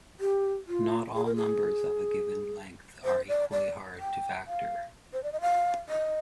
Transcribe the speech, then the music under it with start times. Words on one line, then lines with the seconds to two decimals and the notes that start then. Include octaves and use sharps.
Not all numbers of a given length are equally hard to factor.
0.20 G4
0.68 F4
1.15 G#4
1.25 A#4
1.36 G#4
3.05 C5
3.29 D5
3.52 D5
4.00 G5
4.47 F5
5.13 C5
5.23 D5
5.32 D#5
5.41 F5
5.89 D#5